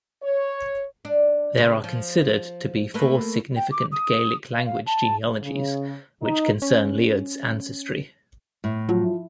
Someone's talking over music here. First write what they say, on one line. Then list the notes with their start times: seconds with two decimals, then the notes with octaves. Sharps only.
There are considered to be four significant Gaelic-language genealogies which concern Leod's ancestry.
0.23 C#5
1.05 D4
1.57 C#3 B3
1.84 F3
2.94 A3 A#3 B4
3.56 G5
3.71 D6
3.92 D#6
4.53 F5
4.66 F5
4.86 A5
5.42 C#3
6.22 D#4
6.62 C#4
8.64 A2
8.89 F3 F#3